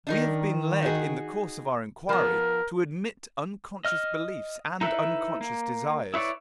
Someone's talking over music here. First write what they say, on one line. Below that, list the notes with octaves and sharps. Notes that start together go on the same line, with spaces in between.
We have been led, in the course of our inquiry, to admit unconscious beliefs and unconscious desires.
D#3 D4 D#4 A#4
D#4 F#4 G#4
F3 B3 A#4
D#5 F6
D#4 E4 A4 B4 E5
A#3
E4 B4 C#5 D5